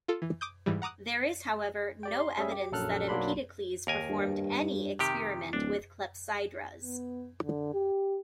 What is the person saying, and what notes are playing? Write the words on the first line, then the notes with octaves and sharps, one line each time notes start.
There is however, no evidence that Empedocles performed any experiment with clepsydras.
F4 A4
E3
D6 D#6 G6
G#2 E3 G3
F#5 A#5 D6 D#6 F#6
G4 D5 G5
C6
G3 C#4 G#4 E5
G4
A#1 F#2 F#3 A4 F6 F#6
B1 F#3 A#3 D4 B5 C6
D#2 A#4 G#5
G2
C3 D#3 G4
D1 D4
B3
D3
G4